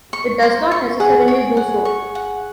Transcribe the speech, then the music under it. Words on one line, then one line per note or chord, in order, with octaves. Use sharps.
It does not necessarily do so.
C#6
C5
C#6
G#4 F#5
C#5
F#5
C#6
F#5